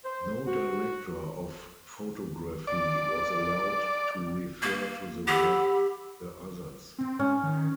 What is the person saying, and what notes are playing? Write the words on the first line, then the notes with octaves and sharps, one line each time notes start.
No director of photography was allowed to refer to the work of the others.
C5
F#4
D5
A#3
G4 F#5 B5 E6
C4
G#2 C#4
D#3